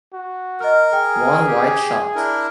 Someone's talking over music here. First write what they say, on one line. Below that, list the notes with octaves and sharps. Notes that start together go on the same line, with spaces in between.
One wide shot.
F#4
A#4 D#5 F6
G#4 G5
G4
D4 E4 A#4